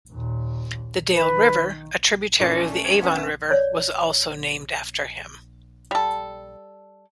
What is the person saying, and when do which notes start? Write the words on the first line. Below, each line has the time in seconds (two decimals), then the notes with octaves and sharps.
The Dale River, a tributary of the Avon River, was also named after him.
0.12 D#2 A#2
1.13 D#3 B4
2.40 A#2 A3 C#4 D4
2.72 A3
2.85 G2 D5 G#6
3.01 B3 C#4 B4
3.15 E5 E7
3.51 C#5 D5
5.91 G3 A4